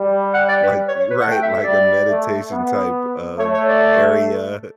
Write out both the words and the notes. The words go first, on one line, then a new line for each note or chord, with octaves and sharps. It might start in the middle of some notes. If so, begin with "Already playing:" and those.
like you Right, like a meditation type, um, area
Already playing: G3
F#5
D5
B4
C#5
C#5
B4
A3 F#5
G5
E5
E5
G3 D5
A3
B3
A3 C#5
C#5
D5